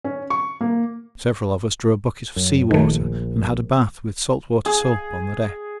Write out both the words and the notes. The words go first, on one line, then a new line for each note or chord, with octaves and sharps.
Several of us drew a bucket of sea water and had a bath with salt water soap on the deck.
C#4
C#6
A#3
F#2
A#1 D#3 A3
G#4